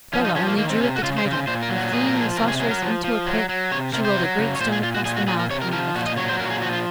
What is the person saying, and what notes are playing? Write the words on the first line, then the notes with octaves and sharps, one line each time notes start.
Bellah only drew it the tighter, and, flinging the sorceress into a pit, she rolled a great stone across the mouth, and left her.
F3 C#4
D#4
F3 C#4
A#3
D#3 A#3
C4
C3 C#4
F#4
C#3 F4
C5
C#3
C5
A#2 C5
A#4
F#3
F#4
A#2 G#4
A#4
F3
G#4
C3 A#4
G#4
F#3 G#4
A#4
F3
F3
F#3
F#3
C3 C#5
C3 A#4
C5
F#3
C#3
C#5
A#2 C5
G#4
A#2 F4
F#4
A#2 G#4
F#4
A#2 G#4
A#4
C3 C#5
A#4
F3 A#4
A#2 F#4
D#5
F#3 C#5
C5
A#2 A#4
F#4
G#4
F3 F#4
F4